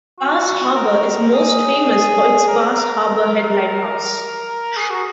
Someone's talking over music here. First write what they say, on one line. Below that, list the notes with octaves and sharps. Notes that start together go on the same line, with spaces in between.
Bass Harbor is most famous for its Bass Harbor Head Lighthouse.
F#4
A#4
G#4
G#4
A#4
G#4
F#4